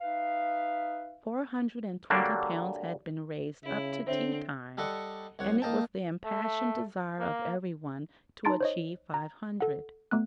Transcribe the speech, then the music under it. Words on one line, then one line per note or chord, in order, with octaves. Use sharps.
Four hundred and twenty pounds had been raised up to tea-time, and it was the impassioned desire of everyone to achieve five hundred.
D#4 B4 E5 F5
D3 F#3 G3 A#3 D4
C#3 E4
D3 C4 C5 C#5 E5
G3 A4 D#5 F#5 C#6
C2 C#5 F#5
A#3 D#5 G5 A5
A3
A#3
D#4 A5 A#5 C6 A6 D7
C5 C#5 D#5
A#5
A4 F#5
A3 B3 F#6